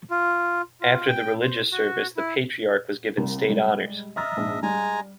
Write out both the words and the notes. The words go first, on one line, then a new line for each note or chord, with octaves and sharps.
After the religious service, the Patriarch was given state honors.
F4
F4
G5
C5
F#4
E4
C2 G3 A#3
G3 G#3
D#5 E5 A#5 F6 A6
A#1 G#2
G3 G#3 G#5 A#5